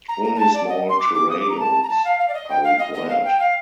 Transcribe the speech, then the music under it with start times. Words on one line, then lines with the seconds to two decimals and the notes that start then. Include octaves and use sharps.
Only small terrariums are required.
0.08 A#5
0.24 A#5
0.35 A#5
0.39 A5
0.54 D5
0.69 D#5
0.89 C6
0.99 D6
1.14 D6
1.29 D#6
1.39 D6
1.50 A#5
1.59 A5
1.83 A#5
1.89 A5
2.04 F5
2.19 F5
2.28 D5
2.34 D#5
2.49 G5
2.64 F5
2.78 D#5
2.94 D#5
3.09 F5
3.25 G5
3.39 F5